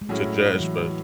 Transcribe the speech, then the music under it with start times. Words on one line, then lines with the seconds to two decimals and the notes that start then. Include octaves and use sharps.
To Jazz Fest.
0.01 G#3
0.09 A2 F#3 A3 C#4 E4 G#4
0.26 A3
0.54 F#3
0.60 E3
0.79 E3